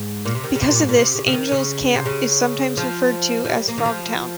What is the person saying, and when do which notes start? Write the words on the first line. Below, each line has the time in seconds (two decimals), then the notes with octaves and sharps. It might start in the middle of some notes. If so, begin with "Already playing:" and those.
Because of this, Angels Camp is sometimes referred to as Frogtown.
Already playing: G#2
0.25 A#2
0.35 C3
0.44 D#3
0.55 C#3
0.61 C3
0.71 A#2
0.79 G#2
0.89 A#2
0.97 C3
1.15 C#3
1.27 C#3
1.33 D#3
1.52 C#3
1.95 C3
2.06 C#3
2.77 F3
3.45 F3
3.49 G3
3.68 A#3
3.78 D#3
3.86 F3